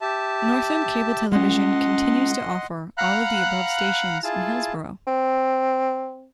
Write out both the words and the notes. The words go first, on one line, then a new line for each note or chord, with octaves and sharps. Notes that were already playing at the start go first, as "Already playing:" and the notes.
Northland Cable Television continues to offer all of the above stations in Hillsboro.
G4 E5 A5
G#3 C#4 D#5 F#5 C6
F5 F#5 A#5 B5 F#6
E4 F4 G#4 A5
C4